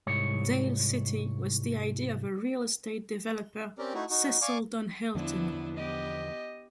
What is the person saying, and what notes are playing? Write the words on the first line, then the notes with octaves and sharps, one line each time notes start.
Dale City was the idea of a real estate developer, Cecil Don Hylton.
C2 G#2 C#5
C4 C#4 G4 A#4 D5
A3 D#4 E4 F#4
D#4 F#4
D5 F5 G#5 C#6 D6
E2 D3 F3 B3 D4 E4
B3 G4 D#5